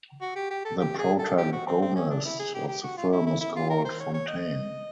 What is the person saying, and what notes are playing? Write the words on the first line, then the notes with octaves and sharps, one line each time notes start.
The protagonist of the film is called Fontaine.
F#4
G4
G4
A4
G4
G#4
A4
G4
F#4
C4
C4
C#4
D4
E4
G#4
G4
G4
F#4
F4
E4
E4
E4
F4
A#4
C5
C#5
C#5
D#5